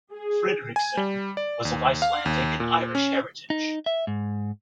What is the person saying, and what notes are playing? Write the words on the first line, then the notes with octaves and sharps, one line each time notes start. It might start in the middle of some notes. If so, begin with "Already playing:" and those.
Fredrickson was of Icelandic and Irish heritage.
G#4
G#5
G3
D5
D#2
F5
D#2
A#2
C#4
D#4
E5
G#2